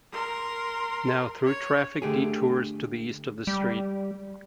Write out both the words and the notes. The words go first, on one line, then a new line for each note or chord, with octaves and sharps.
Now through traffic detours to the east of the street.
A#4 C6
C#5
D3 A3 G4 G#4
G3